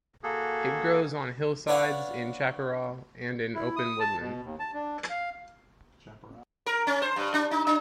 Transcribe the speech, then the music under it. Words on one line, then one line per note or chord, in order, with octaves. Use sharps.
It grows on hillsides, in chaparral, and in open woodland.
A#3 F#4 G#4 A4
D4 B4 C#5 F5 F#5
E4
D#6
A5
B2
D#2
A5
D4
F5
A#4
C#4
C5
G2
D4
D#4
D4